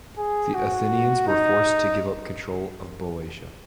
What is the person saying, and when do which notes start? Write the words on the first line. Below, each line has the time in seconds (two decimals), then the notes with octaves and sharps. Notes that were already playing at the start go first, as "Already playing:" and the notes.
The Athenians were forced to give up control of Boeotia.
0.18 G#4
0.54 F#4
1.28 D#4